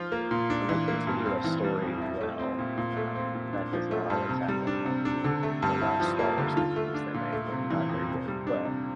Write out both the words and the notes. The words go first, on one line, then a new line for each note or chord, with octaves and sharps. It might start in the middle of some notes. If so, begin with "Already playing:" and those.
when they continue a story well, um, that does not always happen, like, the the last Star Wars movies they made were not very good. But
Already playing: F3 F4
A#3
A#2
D4
E3
A#3
G2
C4
E3
G3
F2
E4
A3
C4
A#2
A#2
A3
C4
A#2
D4
F3
A3
G2
C3
G3
D4
C3
D4
D3
A3
G2
E4
F3
A#3
D3
F4
A3
D4
A#2
A3
C3
E3
F2
C3
G3
D4
C3